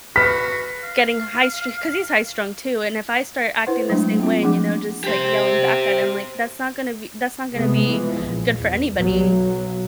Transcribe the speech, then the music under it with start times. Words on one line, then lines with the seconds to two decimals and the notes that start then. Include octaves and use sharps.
getting high street 'cause he's high strung too, and if I start acting the same way and, you know, just, like, yelling back at him, like, that's not gonna be that's not gonna be good for anybody.
0.16 F#4 B4 B5 F6 B6
0.83 F5
3.66 E4 B4 C5 F#5 C6
3.90 F#3 G#3 A3 D4
4.20 A#3 C4 F4
4.42 F3 A3 D4 G#4 F#5 D6
5.04 G4 C5
7.52 C3 G#3 A3 B3
7.86 E3 F3 G#3
8.20 A#1
8.56 E2
8.96 B1 F#3